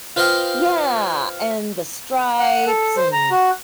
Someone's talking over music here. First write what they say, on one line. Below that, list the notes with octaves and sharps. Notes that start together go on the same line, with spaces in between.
Yeah. And The Stripes and
F4 B4 C5 D#5 F5 G5
F#5
A4
C5
A#5
F#4